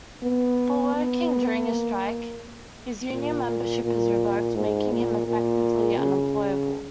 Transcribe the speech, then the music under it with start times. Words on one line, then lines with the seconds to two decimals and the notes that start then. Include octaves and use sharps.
For working during a strike, his union membership is revoked, making him effectively unemployable.
0.23 B3
0.96 B3
1.67 A#3
3.12 A#2
3.84 A#2
4.55 G#2
4.91 A#2
5.27 A#2
5.99 C#3